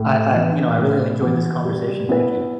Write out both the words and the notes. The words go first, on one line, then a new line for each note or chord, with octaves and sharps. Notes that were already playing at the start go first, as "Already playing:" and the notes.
I I, you know, I really enjoyed this conversation, thank you.
Already playing: A2
E3 B3
A2
E3 B3
G3
B3 E4 B4